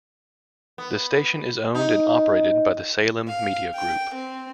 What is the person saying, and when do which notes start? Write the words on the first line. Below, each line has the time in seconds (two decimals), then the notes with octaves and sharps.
The station is owned and operated by the Salem Media Group.
0.78 B3
1.75 D#4
3.28 F5
3.75 G5
4.15 C4